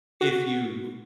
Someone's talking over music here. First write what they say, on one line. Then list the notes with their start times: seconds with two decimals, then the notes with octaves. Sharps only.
if you
0.21 F#4